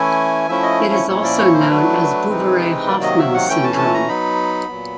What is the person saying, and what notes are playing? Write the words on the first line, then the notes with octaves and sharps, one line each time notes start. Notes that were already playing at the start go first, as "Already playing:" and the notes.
It is also known as "Bouveret-Hoffmann syndrome".
Already playing: E3 A3 C#4 E4 G#5
F3 A3 C#4 E4 E5
D#5
C#5
A#2 F3 A#3 C#4 E4 C#5
D5
C#5
C5
A#4
F#3 A3 D4 B4
C3 E3 G#3 C4 D#4
C3 D#3 F#3 A#3 D5
D#5
E5
F#5
E3 A3 C#4 G5
A5
A5
A#5
F#3 B3 D#4 B5
A#2 F#3 B3